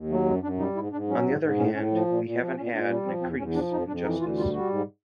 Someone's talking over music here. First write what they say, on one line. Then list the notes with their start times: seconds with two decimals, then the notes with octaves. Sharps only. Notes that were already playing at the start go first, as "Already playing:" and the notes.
On the other hand, we haven't had an increase in justice.
Already playing: D#2
0.10 F#3 A3
0.26 F#2 G#3
0.43 F#2 D4
0.59 G3 D#4
0.75 G#2 E4
0.92 G#2 D4
1.08 F#3 C#4
1.25 G#2
1.41 G#2
1.57 A2 C#4
1.74 A2 C#4
1.91 F3
2.07 A#2
2.24 A#2
2.40 F3
2.56 A#2 C#4
2.73 A#2 D4
2.89 G3 C#4
3.05 F3 C4
3.21 E2 C4
3.38 E2 C#4
3.55 F3 D4
3.72 F2 D#4
3.87 F2 D4
4.03 E3 D#4
4.20 D2 F4
4.36 G3 F4
4.53 G3 F#4
4.69 G#2